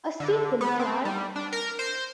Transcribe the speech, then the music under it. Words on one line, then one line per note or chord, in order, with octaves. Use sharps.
A sequel, Fly!
D3
B3
C4
G3
D4
A#4
C5